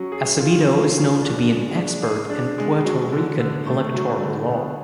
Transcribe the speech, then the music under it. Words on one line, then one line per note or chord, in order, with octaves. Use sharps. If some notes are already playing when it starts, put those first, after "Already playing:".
Acevedo is known to be an expert in Puerto Rican electoral law.
Already playing: F#3 C#4
G#4
F4
C#4
F#3
D4
G#3
D5
G#4
D4
G#3
F#3
D3
D3
A3
F#3
D3
B3